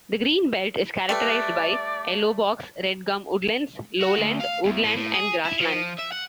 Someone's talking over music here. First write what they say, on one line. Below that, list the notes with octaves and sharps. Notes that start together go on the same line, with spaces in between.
The green belt is characterised by Yellow Box-Red Gum Woodlands, lowland woodland and grasslands.
G3 A3 B4 D5
F#4
D2
F5
E2
A2
A2
G#4
E4
F3
E5
F#5